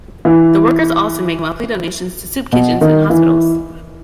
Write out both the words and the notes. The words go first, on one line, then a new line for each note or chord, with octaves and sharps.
The workers also make monthly donations to soup kitchens and hospitals.
E3
B2
D#3
E3